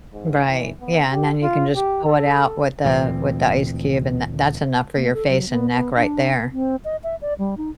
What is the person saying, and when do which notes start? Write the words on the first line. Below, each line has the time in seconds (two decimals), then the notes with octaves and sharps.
Right, yeah, and then you can just pull it out with the with the ice cube and that that's enough for your face and neck right there.
0.13 G#2
0.47 E3
0.80 B3
1.11 G4
1.43 F4
1.75 G4
2.05 A4
2.85 D2 A#2 E3 C4
4.96 A#3
5.13 A4
5.28 F#3
5.49 B3
5.71 B3
5.96 D4
6.52 C4
6.84 D#5
7.03 E5
7.21 D5
7.39 G3
7.57 D#4